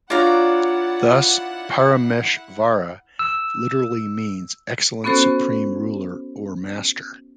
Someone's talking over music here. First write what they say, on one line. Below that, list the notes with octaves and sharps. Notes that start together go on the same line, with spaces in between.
Thus Parameshvara literally means 'Excellent Supreme Ruler or Master'.
D4 E4 F4 C#5 D5 F#5 A#5
E6
B3 C#4 F#4 A4 C5